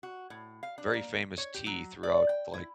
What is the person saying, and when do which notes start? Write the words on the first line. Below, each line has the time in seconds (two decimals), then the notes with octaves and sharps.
very famous tea throughout, like,
0.03 F#4
0.30 A2
0.63 F5
0.78 D4
0.94 A#3
1.38 C#5
1.54 G4
1.66 F#3
2.03 D5
2.29 G5
2.53 E4